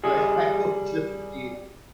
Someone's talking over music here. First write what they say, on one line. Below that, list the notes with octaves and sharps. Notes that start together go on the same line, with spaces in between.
Like, I will just be
G3 G#4